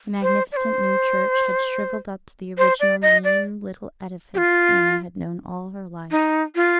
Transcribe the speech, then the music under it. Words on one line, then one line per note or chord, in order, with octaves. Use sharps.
The magnificent new church had shrivelled up to the original mean little edifice Anna had known all her life.
C5
D5
C5
C5
D5
D#5
D5
G4
F4
D#4
F4